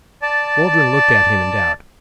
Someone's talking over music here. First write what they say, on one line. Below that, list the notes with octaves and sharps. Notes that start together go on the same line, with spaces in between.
Waldron looked at him in doubt.
D5 A5